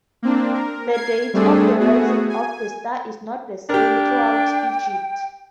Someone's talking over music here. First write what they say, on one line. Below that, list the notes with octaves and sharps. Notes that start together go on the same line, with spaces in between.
The date of the rising of the star is not the same throughout Egypt.
A#3 C4 D4
A#4
G#6 C7
G3 A3 C4 D4 G#4 A4
A3 B3 F#4 G#4
G#5
D4 G4 A#4 G5